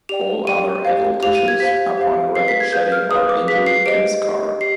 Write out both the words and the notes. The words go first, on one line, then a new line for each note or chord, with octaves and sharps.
All other adult tissues, upon rapid shedding or injury, can scar.
G4 D5 G5 F7
G4 D5 G5 D#7
G4 C5 F5
G4 C5 F5 F7
D#7
G#6
G4 C5 F5 B6
G4 C5 F5
G#4 B4 F5 C7
B6
G#6
G#4 B4 F5 G6
F6
G#4 B4 F5 D#6
D6
G#4 B4 F5 B6
C7
G4 C5 D#5 D7
G4 C5 D#5
G4 C7